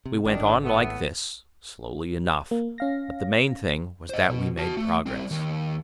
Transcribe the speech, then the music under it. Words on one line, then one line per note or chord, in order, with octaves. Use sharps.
We went on like this, slowly enough, but the main thing was that we made progress.
C3
G#1 D#3 D4
A2 A3 B3
A#3
C#4 F5 A#6
C5 D#5
B2
F#4 A5
A3
G3 C4
D#2